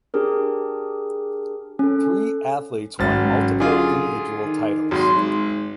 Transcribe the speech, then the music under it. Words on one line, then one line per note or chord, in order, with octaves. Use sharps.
Three athletes won multiple individual titles.
D4 G4 G#4 A#4
C#4 A4
G#1 F#2 A6
D3 F4 G#4
D#3
G#1 F#3 C6
G#2